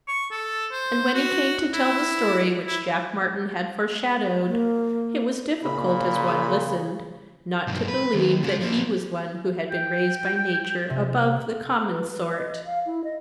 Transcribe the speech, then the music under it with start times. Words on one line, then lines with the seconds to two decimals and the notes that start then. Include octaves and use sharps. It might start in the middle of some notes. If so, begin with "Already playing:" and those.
And when he came to tell the story which Jack Martyn had foreshadowed, it was difficult, as one listened, not to believe that he was one who had been raised by nature above the common sort.
0.08 C#6
0.31 A4
0.72 C5
1.14 F#4
1.73 E4
2.67 E4
4.47 A#3
5.63 A#2 C#3 B5
7.67 B1 G2
7.88 B4
8.14 D#2
8.43 C#3 G#3
8.61 F3 A#3
9.71 G5
10.90 C3
11.89 B4
12.11 B4
12.37 D#5
12.65 F5
12.86 E4
13.04 D#5